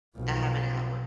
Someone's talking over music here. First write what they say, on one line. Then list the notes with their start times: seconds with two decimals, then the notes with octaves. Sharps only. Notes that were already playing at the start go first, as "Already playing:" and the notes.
I haven't had one.
0.16 B1 F3